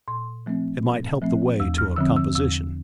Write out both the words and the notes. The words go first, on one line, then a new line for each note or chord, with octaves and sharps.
"It might help the way to a composition."
A#2 C6
F3 A3 C4
A#2
F3 A3 C4
E2 E6
F6
D3 F3 C4 E6
E6
E2 E6